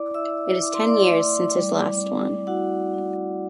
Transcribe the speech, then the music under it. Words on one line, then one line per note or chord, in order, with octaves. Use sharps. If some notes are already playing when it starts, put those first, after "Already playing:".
It is ten years since his last one.
Already playing: E4 D5 D6
E4 E5 E6
E4 D6
C6
D5 D6
A3
G3
C4
E4 F#4 F#5
E4